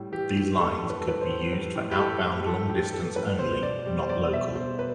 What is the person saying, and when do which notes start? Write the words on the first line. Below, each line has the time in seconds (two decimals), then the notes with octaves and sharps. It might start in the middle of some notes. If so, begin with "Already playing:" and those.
These lines could be used for outbound long-distance only; not local.
Already playing: A2 G3
0.12 E3 G4
0.36 A2
0.58 G3 A4
0.83 A2
0.90 B4
1.00 A4
1.06 E3 B4
1.21 C5
1.29 A2
1.52 G3 B4
1.75 A2
1.91 G4
1.99 E3 A4
2.23 A2
2.38 G4
2.46 G3 A4
2.69 A2 G4
2.92 E3 A4
3.16 A2 B4
3.39 B2 C5
3.62 B2 D5
3.86 G3
4.03 C5
4.09 G3 D5
4.33 B2 E5
4.56 B2 C5
4.79 B4